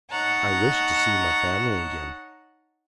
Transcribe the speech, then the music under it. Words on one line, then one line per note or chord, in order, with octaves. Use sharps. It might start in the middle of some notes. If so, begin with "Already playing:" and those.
"I wished to see my family again."
D#4 C#5 F#5 A5 A#5